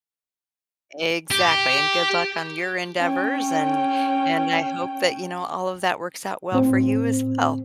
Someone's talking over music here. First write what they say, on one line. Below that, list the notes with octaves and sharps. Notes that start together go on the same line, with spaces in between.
Exactly, and good luck on your endeavors, and and I hope that, you know, all of that works out well for you, as well.
G4
C#4 G5
A2 C4